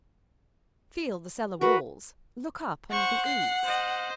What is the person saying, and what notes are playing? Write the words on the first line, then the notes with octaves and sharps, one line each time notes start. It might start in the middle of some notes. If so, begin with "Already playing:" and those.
Feel the cellar walls; look up under the eaves.
F#4 A#4 B4
C5 F#5 C#6
C7
C5 D#5